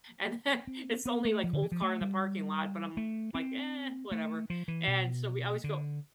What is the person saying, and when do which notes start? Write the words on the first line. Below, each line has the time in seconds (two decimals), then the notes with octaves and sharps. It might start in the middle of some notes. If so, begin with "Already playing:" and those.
And then it's the only like old car in the parking lot, but I'm like, "Eh, whatever." And so, we always go
0.67 C4
1.06 B3
1.25 A3
1.44 F3
1.53 D3
1.62 E3
1.72 F3
1.82 A3
2.01 G3
2.97 A3
3.35 C4
4.12 A3
4.50 F3
4.68 E3
4.88 B2
5.64 D3